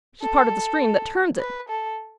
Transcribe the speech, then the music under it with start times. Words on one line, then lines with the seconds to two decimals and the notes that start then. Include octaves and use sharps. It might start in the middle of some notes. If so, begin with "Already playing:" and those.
She's part of the stream that turns it.
0.22 A4
1.40 B4
1.68 A4